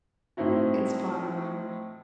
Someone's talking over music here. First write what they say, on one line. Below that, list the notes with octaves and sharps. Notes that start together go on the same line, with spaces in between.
It's fine.
A2 C4 D#4 E4 F#4